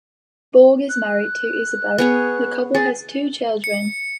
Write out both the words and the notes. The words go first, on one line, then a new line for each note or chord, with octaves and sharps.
Borg is married to Isabelle; the couple has two children.
F#6
B3 G#4 C#5
G#4 A6
C#7